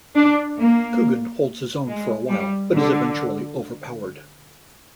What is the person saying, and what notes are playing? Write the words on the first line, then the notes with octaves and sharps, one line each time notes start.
Coogan holds his own for a while but is eventually overpowered.
D4
A#3
G#3
G3
D3